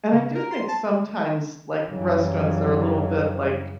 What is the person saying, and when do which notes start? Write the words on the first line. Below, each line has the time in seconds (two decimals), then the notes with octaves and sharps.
and I do think sometimes, like, restaurants are a little bit, like,
0.13 C#3
0.35 A#4
0.51 C6
0.68 A5
1.85 F#2 C#3 E3 F#3 G3